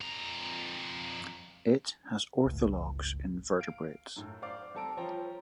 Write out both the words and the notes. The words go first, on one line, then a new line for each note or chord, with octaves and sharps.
It has orthologs in vertebrates.
F2 A#5
G1 C#2 A2
F5 D7
F#2 A2
C5 D5 F5 D6
G3 C4 A4 A5 A#5 D7
F3 C#4 C5 G5 A5 A#5